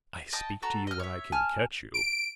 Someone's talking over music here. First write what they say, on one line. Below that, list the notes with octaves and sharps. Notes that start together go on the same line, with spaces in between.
I speak to you when I can catch you.
D#5 G5 A5 D#6
F#4 A4 A#5
D#5 F6
C#5 E5
G#5 A5 F6
D7